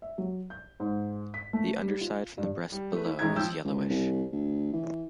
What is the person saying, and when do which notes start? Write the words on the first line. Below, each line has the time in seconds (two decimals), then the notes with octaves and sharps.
The underside from the breast below is yellowish.
0.02 E5
0.18 F#3
0.50 G6
0.80 G#2
1.34 B6
1.53 A3
1.80 G3
2.01 F4
2.38 G2
2.72 G3
2.92 A3 B4
3.06 E4
3.19 A1 D#3 G#3 E4 A#5 G#6
3.36 F3 G5 E6 G6
3.64 C#2
3.90 C2
4.32 D2
4.73 E3